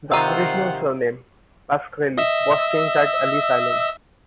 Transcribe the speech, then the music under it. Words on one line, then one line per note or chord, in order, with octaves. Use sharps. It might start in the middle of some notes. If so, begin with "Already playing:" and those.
The original surname, Pascrelli, was changed at Ellis Island.
C3 D#3 F4 G4 C5 F#5 A#5 E6
D#5 E5 E6